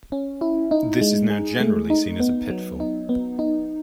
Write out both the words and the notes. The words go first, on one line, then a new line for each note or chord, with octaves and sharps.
This is now generally seen as a pitfall.
C#4
E4
D#4
G#3
G#4
A3
D#4
B3
F#3
D#4
B3
D#4